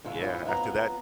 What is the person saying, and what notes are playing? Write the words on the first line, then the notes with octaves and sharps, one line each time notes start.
Yeah, after that
G#2 C#3 F4 A4 E5
F3 C#4 D4 E4 F4
F2 B3 F4 F#5 A#5